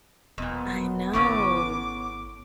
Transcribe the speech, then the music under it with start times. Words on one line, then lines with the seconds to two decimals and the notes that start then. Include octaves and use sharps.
I know.
0.38 E1 F2 A#2 B3
1.13 G#1 A2 C#3 C#4 D6